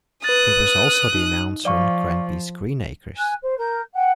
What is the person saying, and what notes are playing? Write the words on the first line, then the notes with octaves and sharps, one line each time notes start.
He was also the announcer on "Granby's Green Acres".
B4 D#6 F#6 A6
D#4
F3 D5 F5 C#6
G#5 F#6
C5
A#4 G6
F#5 G5